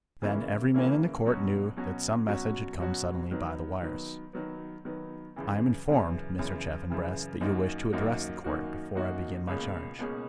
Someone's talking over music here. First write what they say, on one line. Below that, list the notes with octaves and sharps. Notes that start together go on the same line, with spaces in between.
Then every man in the Court knew that some message had come suddenly by the wires. "I am informed, Mr. Chaffanbrass, that you wish to address the Court before I begin my charge."
C#3 E3 A#3 C#4 E4
C#3 E3 A#3 C#4 E4
B2 F#3 C#4 F#4
B2 F#3 C#4 F#4
B2 F#3 C#4 F#4
B2 F#3 C#4 F#4
D#3 F#3 B3
D#3 F#3 B3
D#3 F#3 B3
D#3 F#3 B3
F#2 C#3 E3
F#2 C#3 E3
F#2 C#3 E3
F#2 C#3 E3
F#2 D#3 A#3 D#4 F#4
F#2 D#3 A#3 D#4 F#4
F#2 D#3 A#3 D#4 F#4
F#2 D#3 A#3 D#4 F#4
C#2 B2 A#3 C#4 G#4
C#2 B2 A#3 C#4 G#4